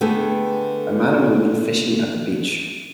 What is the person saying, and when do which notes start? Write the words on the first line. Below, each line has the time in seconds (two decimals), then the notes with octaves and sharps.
A man and woman fishing at the beach.
0.01 D3 A3 B3 G#4 G5